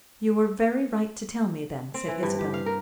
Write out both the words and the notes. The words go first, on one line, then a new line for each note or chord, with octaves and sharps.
"You were very right to tell me then," said Isabel.
C4
E3
G2
G4
F5
A#4